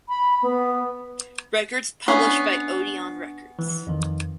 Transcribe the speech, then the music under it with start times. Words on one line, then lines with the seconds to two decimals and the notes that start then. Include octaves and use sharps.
Records published by Odeon Records.
0.08 B5
0.42 B3
2.08 B3 C#4 D4 C7
3.59 E3
3.87 F2 D#3